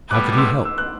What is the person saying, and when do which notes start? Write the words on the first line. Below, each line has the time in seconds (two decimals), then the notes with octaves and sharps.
How could he help?
0.11 A2 G3 B3 D6 F#6
0.32 D6
0.38 C6 E6
0.65 E6
0.78 F#6